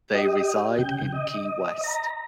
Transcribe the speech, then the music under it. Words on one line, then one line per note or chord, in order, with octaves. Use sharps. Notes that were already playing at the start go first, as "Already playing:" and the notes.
They reside in Key West.
G4 D#5
C#3 G5
D#5
A#5